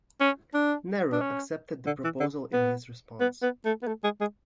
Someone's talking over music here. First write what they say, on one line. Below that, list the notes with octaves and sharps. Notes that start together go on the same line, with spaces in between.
Nehru accepted the proposal in his response.
C#4
D4
D4
C#4
D3
E3
D3
B3
B3
B3
A3
B3
A3
G#3
G#3